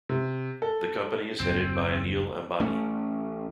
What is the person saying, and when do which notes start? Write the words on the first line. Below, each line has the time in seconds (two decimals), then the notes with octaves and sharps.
The company is headed by Anil Ambani.
0.09 C3
0.62 A4
1.40 F#1 D#2 C4
2.60 A1 A3 C#4